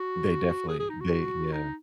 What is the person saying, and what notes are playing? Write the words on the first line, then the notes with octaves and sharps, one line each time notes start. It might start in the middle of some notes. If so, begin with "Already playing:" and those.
They definitely they Yeah.
Already playing: F#4
G#4
G#4
D#4
F#4
D#4